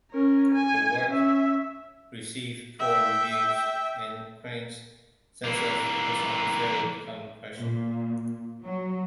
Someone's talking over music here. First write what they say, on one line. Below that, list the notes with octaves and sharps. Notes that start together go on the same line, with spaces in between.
The work received poor reviews, and Crane's sense of his own failure became crushing.
C#4 A#4
G#5
C#4 E5
E5 G5
E3 A#3
A#2
F#3